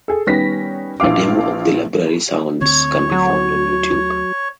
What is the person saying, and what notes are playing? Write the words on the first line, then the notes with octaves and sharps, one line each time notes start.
A demo of the library sounds can be found on YouTube.
G#4 A4
D#3 G3 B3 C#4 A#6 B6
A#1 E3 D4 F5 D6
D2 D3 C4 C#5
F#3